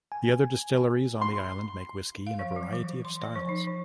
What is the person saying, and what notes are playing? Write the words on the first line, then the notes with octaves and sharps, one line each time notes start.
The other distilleries on the island make whisky in a variety of styles.
G#5
C6
F5
F3
F#3
E3
C6
D5
F3
D#4
F3